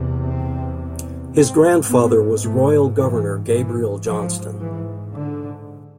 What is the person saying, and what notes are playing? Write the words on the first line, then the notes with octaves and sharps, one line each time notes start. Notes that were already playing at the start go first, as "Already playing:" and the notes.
His grandfather was royal Governor Gabriel Johnston.
Already playing: E2 C3
C4
G#2 C4
B3
A3
E3
G#2 E3
F3
E3
D3